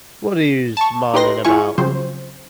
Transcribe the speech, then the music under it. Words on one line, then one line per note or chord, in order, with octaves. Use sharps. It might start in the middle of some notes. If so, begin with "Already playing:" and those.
What are you smiling about?
A5 C#6
D#4 G4 B4 C6 A#6
E4 F4 G#4 G#5 C#6
C#3 F3 F#3 C4 C5